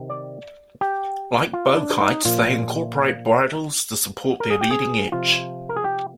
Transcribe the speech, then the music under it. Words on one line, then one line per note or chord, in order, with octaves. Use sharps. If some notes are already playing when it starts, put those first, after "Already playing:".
Like bow kites, they incorporate bridles to support their leading edge.
Already playing: C3 D#3
D5
G4
F4
D4
D#4
A#2 F3 F4
A#4
G#4
G4
G#4
C3 F3 F4
A#4
G#4
G4